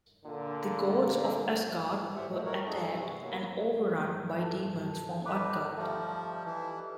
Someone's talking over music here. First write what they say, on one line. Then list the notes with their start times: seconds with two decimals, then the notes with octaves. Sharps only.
The gods of Asgard were attacked and overrun by demons from Utgard.
0.24 A#2 D3
2.15 A2 G4 C5 E5 F#5
2.29 A#2 F3 F#3 G#3 A3
2.45 F#3 F#4 A#4 C#5 F#5
2.66 B3 C4 D#4 G#4 A4 A#5
2.90 C3 E3 G#3 F#4
3.21 F#3 A#3 B3
4.39 A4
5.26 D#4 B4 D6
5.77 F3 G3 A3
6.45 E3